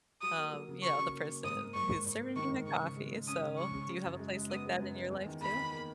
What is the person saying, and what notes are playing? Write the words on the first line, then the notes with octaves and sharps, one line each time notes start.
um, you know, the person who's serving me my coffee, so do you have a place like that in your life too?
F#3 D#6
A#3
F#3
C#3
C#4 C#6
C#3
A#3
A#3
G#2 D#6
A#3
G#2 C#6
G#2
G#2
A#3
D#3 C#6
G#2
C#3 C#6
C#3
G#3
C#3
C#4 D#6
C#3
G#3 C#6
C#3
C#3
F#2
G#3
G#3
B3 D#6
G#3
F#2
G#3
E2
D#3
E2 B5
D#3
A#3